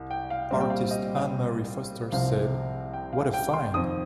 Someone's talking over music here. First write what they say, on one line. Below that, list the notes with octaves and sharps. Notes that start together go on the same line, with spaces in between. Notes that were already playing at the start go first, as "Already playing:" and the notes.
Artist Ann Marie Foster said, What a find!
Already playing: C2
G5
F5
A#2 G3 C4 F5
G5
F5
D#5
C2 C3 F3 C4 F5
G5
F5
G5
C6
F2 D#3 C4 D#6